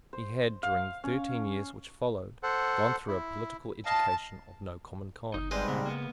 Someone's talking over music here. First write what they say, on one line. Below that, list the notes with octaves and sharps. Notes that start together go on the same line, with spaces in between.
He had, during the thirteen years which followed, gone through a political education of no common kind.
C5
F5
C#4
A4 C5 F#5
E4
D#5 F5 A5
G1 D#4
G#2 G3 G#3 C4 B4 C5
A#2 C#3 B3
A#3 B3